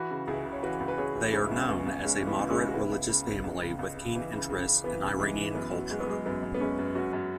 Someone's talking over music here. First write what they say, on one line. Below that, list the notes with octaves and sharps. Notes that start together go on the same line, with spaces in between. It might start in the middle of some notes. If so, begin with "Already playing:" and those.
They are known as a moderate religious family with keen interests in Iranian culture.
Already playing: E3 F#4 B4
C#3
C#2 E4 G#4
C#3
C#5
E3 F#4 B4
C#2
B4
C#2 G#4 C#5
E3
C#3 G#3 C#4
E4
C#2
C#4
C#2 B3
C#2
C#2 G#3 C#4
E3 C#4
B3 E4
C#2
G#3 C#4
C#3
F#4
C#3 B3 E4
C#2
C#3
C#2
C#2
C#3
C#2
C#3
E3
C#3
C#3
C#3
E3 B3
C#3
E3 G#3
E3
F#2 B3
F#3
F#3 G#3
B3
F#3 G#3
F#2 B3
F#2
B3
F#2 G#3 C#4
F#2
F#2 C#4 F#4
F#2